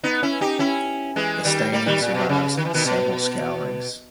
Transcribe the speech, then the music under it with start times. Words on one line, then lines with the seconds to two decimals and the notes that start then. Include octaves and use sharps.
The staining survives several scourings.
0.04 B3 D#4
0.23 C#4 E4
0.41 D#4 G4
0.59 C#4 E4
1.16 E3 G#3
1.44 D#3 G3
1.72 G3 A#3
1.86 D#3 G3
2.01 A#2
2.14 B2
2.29 C#3
2.57 D#3
2.65 E3
2.74 B2 D#3
2.85 B2